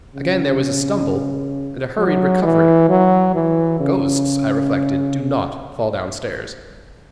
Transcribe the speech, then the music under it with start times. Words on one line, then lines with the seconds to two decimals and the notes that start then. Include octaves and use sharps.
Again there was a stumble and a hurried recovery,—ghosts, I reflected, do not fall down stairs!
0.15 C#3
1.98 F#3
2.43 E3
2.89 F#3
3.34 E3
3.80 C#3